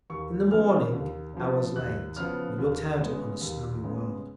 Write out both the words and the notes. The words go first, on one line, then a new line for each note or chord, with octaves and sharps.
In the morning, hours late, we looked out upon a snowy world.
D#2 C#6
C#3 F3 B3 F6
D#2
C#3 F3 B3
D#2 F#6
C#3 F3 B3 F6
D#2
C#3 G#3 B3
D#2
C#3 G#3 B3